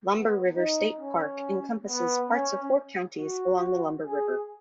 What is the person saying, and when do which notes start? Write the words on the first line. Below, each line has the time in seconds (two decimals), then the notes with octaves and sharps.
Lumber River State Park encompasses parts of four counties along the Lumber River.
0.11 B3
0.55 D#4
0.98 C#4
1.86 B3
2.29 C#4
3.17 F#4
4.05 G#4